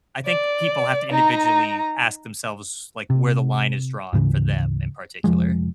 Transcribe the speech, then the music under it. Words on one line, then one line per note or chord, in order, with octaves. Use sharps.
I think people have to individually ask themselves, like, where the line is drawn for them in particular.
D5
D#4 A#5
C3
D2 G#2 C#3 E3
F1 F3 G#3